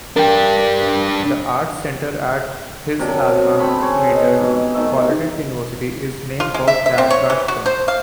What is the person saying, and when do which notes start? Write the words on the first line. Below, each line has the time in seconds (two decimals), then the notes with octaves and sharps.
The arts center at his alma mater, Gallaudet University, is named for Cad Washburn.
0.16 D4 G4 A#4 G5
2.99 C3 F#3 D4 A#4
3.60 C4 A4 C#5 B5
3.79 C#3 C4 C#5
4.07 B2 G#4 A5
4.38 G#2 C3
4.74 B2 D#3 A3 E5
6.40 F4
6.54 G#3
6.68 E5
6.86 E5
6.98 C4
7.10 C#5
7.30 E3
7.48 F#4
7.66 C5
7.88 F5